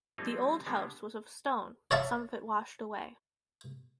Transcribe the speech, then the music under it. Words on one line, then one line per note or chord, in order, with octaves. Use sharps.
The old house was of stone, but some of it washed away.
F3 G3 A3 A#3 C4 D#4
D3 G3 G#3 A#3 B3
C#5 E5 F5 A5 C#6